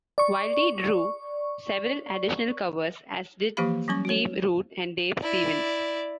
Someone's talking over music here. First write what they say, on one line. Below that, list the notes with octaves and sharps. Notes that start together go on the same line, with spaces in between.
Wildey drew several additional covers, as did Steve Rude and Dave Stevens.
D5 C#6
E3 F3 A#3 G4 F5 B5
F#3 G3 C#4 C#6
F#4 C#5
E4 D5